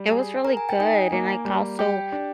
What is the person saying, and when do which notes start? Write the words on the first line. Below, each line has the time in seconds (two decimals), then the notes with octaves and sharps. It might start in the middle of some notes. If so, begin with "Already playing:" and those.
it was really good and I also,
Already playing: G3
0.11 G#4
0.45 A#4 A#5
0.57 G#5
0.69 G5
0.79 D#4 G#5
1.12 A#3
1.45 G3
1.79 G4 G5
2.12 D4